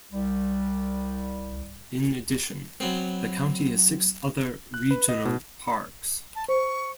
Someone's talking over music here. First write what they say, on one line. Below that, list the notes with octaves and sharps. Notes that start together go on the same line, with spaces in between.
In addition, the county has six other regional parks.
C2 G3
F#3 B3 C4
F#6
B4
D#5
B2
A5
C5 C#6